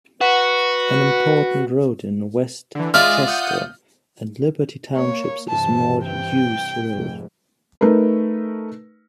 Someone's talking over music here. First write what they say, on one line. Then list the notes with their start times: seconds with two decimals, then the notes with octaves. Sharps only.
An important road in West Chester and Liberty Townships is Maud-Hughes Road.
0.21 F#4 B4
2.75 D3 E3
2.94 G#3 F4 D5 E5 D#6 F6
3.26 F#5 D#6 G6
4.96 A#3 C#5
5.48 G2 C3 E3 A5
6.04 G5
6.94 F1 G#2
7.81 A3 D#4 A#4 B4